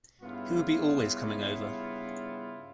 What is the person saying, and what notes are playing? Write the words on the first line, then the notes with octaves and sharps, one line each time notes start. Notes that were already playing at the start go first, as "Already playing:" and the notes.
He would be always coming over.
G2 C#3 B3 E4 F4